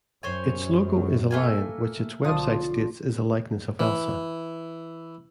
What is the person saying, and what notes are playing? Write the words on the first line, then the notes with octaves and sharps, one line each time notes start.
Its logo is a lion, which its website states is a likeness of Elsa.
F#2 C5 C#5 G#5
A3 A#3 G#5
B1 D3 F3 F4 D5 D#6
E3